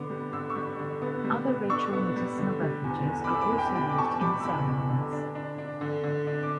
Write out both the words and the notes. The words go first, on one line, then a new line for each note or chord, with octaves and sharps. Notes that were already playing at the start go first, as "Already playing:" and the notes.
Other ritual medicinal beverages are also used in the ceremonies.
Already playing: D3 B3 D6
G3
D3 E6
C#6 E6
G3
D3
B3
G3
B3
D4 C#6 E6
B3
G3
D3
G3
E2
E2
B5 D6
E2 E6
B5 D6
E2
G5 B5
G3 G5 B5
D6
E2 A5 C#6
G3 B5 D6
E6
E2 B5 D6
E2
D3
D4
D4
D4
D3
D3
D4
D6